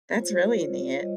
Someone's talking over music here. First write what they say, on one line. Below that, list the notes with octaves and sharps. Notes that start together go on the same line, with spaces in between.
That's really neat.
C#5
F4 C5
C#5
F4
C#5
G3 D#5